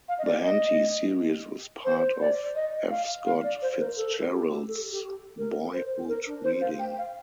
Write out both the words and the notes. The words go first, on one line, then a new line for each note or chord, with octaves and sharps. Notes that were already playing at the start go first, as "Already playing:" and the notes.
The Henty series was part of F. Scott Fitzgerald's boyhood reading.
F5
D#5
D5
D#5
C5
D5
D#5
F5
F5
D5
C5
A#4
A4
G4
A4
G4
A#4
C5
A#4
D4
C5
F5
G5
F5